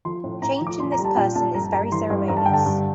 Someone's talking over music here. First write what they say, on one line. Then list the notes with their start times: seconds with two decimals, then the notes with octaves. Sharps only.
Changing this person is very ceremonious.
0.05 F3 C6
0.24 A2
0.42 A2 A#5
0.61 F3
0.67 D6
0.79 A#2 C6
0.92 A#5
0.98 G3
1.05 A5
1.17 A#2 G5
1.35 A#2 A5
1.54 G2 A#5
1.64 A5
1.72 G2 A#5
1.92 E3 C6
2.10 G2
2.28 G2 A#5
2.37 A5
2.46 D3 G5
2.53 A5
2.66 G2